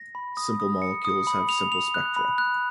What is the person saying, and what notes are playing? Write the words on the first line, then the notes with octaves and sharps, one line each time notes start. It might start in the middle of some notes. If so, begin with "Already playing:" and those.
Simple molecules have simple spectra.
Already playing: A#6
B5
D#6
D#6
C#7
D#6
B5
F7
F7
F#6
B5
F#6